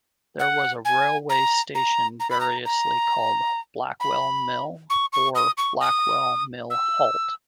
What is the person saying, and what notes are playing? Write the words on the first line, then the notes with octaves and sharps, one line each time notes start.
There was a railway station variously called "Blackwell Mill" or "Blackwell Mill Halt".
F#5
G#5
A#5
A#5
A#5
B5
A#5
A#5
B5
C#6
C#6
D#6
C#6
D#6
E6